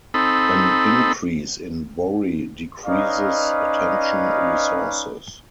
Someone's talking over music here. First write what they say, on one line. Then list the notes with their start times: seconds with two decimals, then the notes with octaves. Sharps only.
An increase in worry decreases attention resources.
0.14 C4 D#4 A4 B5
2.86 C#4 D#4 B4 D5 D#5 F5